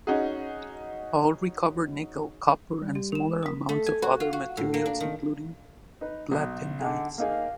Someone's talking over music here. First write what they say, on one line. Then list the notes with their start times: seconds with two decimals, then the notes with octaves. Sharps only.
All recovered nickel, copper, and smaller amounts of other materials including platinides.
0.07 C#4 D#4 F#4 G#4
2.81 G3
2.95 G4
3.12 A#4 E7
3.27 G#3
3.43 A#4 D#6 B6
3.69 A3
3.86 G#5
4.02 F#4
4.20 F4
4.33 F#4
4.57 A2
4.74 A#3
4.86 D4
5.00 D#3
6.01 D#4 B4
6.31 B1
6.81 D3 D#4 G#4 F#5
7.18 A#3 D#4 G#4 F5